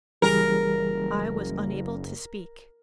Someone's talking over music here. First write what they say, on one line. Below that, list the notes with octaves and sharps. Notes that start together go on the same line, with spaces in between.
I was unable to speak.
F#1 E3 G3 G#4 A#4